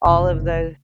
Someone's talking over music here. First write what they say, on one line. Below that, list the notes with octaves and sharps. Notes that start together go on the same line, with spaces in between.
All of tho
F#1 C3